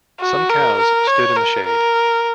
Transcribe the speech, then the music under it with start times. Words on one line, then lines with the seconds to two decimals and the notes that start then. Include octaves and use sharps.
Some cows stood in the shade.
0.20 F#4
0.50 A#4
0.78 A#4
1.07 C#5
1.36 A#4
1.66 A#4